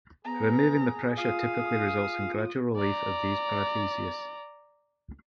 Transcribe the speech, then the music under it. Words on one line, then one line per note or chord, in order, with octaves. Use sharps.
Removing the pressure typically results in gradual relief of these paresthesias.
B3 G#4 A#5
F4 F5 D#6
D5 A#5